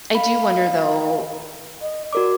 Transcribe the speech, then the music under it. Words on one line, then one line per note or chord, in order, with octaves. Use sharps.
I do wonder though
F5 B5
D#5
F#4 A#4 D5 D6